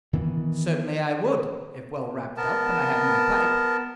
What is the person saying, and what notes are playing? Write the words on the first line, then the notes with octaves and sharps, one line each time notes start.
"Certainly I would, if well wrapped up, and I had my pipe."
D#3 E3 B3
B3 A#4 A5